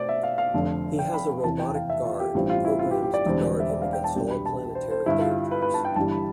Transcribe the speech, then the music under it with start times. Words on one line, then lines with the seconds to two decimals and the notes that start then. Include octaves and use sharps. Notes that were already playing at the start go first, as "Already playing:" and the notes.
He has a robotic guard, programmed to guard him against all planetary dangers.
Already playing: B2 A3 C4 C5 D5
0.09 E5
0.23 F5
0.38 F5
0.54 F1 F2 D3
0.99 G5
1.14 B5
1.44 E2 C3 E3 A5
1.59 G5
1.75 F5
1.90 E5
2.05 F4
2.20 G4
2.34 A1 G2 E3 G3 C4 F4
2.50 F4
2.65 E4
2.79 F4
2.91 G4
3.03 G4
3.14 D5
3.25 E1 E2 D3 G3 C4
3.60 E5
3.70 D5
3.82 F5
3.93 G5
4.04 A5
4.15 C2 B2 G3 D4 G5
4.31 B5
4.46 A5
4.75 C5
4.91 C5
5.06 G2 D3 G3 E4
5.21 F4
5.51 B4
5.62 B4
5.74 A5
5.85 G5
5.96 G1 G2 E3 G3 A5
6.11 B5